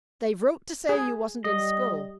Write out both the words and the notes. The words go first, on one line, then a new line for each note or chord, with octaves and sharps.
"They've wrote to say you wasn't in school."
G#4
G3 D#5